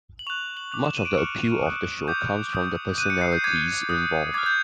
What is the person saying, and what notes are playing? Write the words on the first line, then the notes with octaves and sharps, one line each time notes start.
Much of the appeal of the show comes from the personalities involved.
F#7
C#6 F#6 F7
F#7
D6 F#6 F7
E7
D#7
D7
C#6 F6 C#7
D#6 F#6
D6 G6
D#6 G6
D#6 F#6 D#7
C#7
C7
G6
D6 G6 G#6
D#6 F#6
D6 F6 G#6
G6